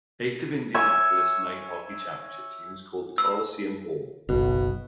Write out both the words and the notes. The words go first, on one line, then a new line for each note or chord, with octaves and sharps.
Eight of Indianapolis' nine hockey championship teams called the Coliseum home.
C#5 E5 G#5
E6
F#1 B1 B2